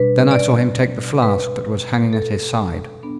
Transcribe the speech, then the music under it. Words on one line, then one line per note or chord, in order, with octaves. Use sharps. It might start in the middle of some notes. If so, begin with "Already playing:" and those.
Then I saw him take the flask that was hanging at his side.
Already playing: B2 G3 D4 B4
D5
B4
A4
B3 D4